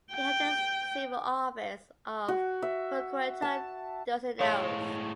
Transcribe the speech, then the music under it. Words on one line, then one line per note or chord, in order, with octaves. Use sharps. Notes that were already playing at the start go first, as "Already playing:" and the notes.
He held the civil office of Procurator ducenarius.
G5
F#4
E5
A5
A2 G#3 C#5 F5 C6